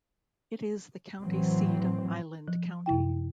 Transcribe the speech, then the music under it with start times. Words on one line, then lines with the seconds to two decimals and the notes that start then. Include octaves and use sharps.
It is the county seat of Island County.
1.21 A2 E3 F#3 C4
2.48 F3
2.86 F#2 C3 E4 G5